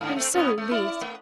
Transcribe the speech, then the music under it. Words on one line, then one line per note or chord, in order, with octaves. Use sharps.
I was so relieved!
G#2 D3
A3 C4
A2 B3 C#4
A3
E4 D5
A3